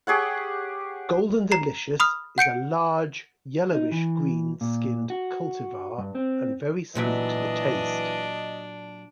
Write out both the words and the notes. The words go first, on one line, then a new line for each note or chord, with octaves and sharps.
Golden Delicious is a large, yellowish-green skinned cultivar and very sweet to the taste.
G4 G#4 C#5 F#5
A#5 C7
B5 D#6 F6
F#5 G6 C#7 D7
D#4
E3
A#2
F#4
G2
C4
A#2 E3 F#3 D4 D#5 E5